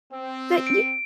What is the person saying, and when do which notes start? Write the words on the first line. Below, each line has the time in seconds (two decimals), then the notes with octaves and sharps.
that you
0.12 C4
0.67 D7